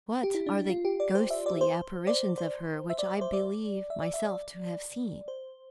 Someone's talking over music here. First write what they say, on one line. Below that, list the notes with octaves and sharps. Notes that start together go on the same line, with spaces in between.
What are the ghostly apparitions of her which I believe myself to have seen?
G4
E4
D4
F4
G4
D5
C5
E5
D5
C5
D5
C5
E5
D5
C5
D5
E5
D5
E5
D5
C5